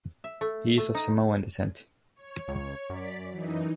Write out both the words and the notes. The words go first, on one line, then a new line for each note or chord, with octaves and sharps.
He is of Samoan descent.
E5
A3
A3
D#4
C#5
C#2
F#2 D5 B6
E3 D#4